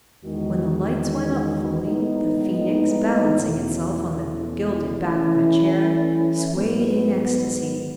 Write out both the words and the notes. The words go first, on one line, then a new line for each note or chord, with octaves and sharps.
When the lights went up fully, the Phoenix, balancing itself on the gilded back of a chair, swayed in ecstasy.
E2 D#3 G#3 D#4 F#4
A2 G#3 B3 D#4
E2 B2 A3 C#4 E4
E3 A3 C#4 E4
G#2 F#3 B3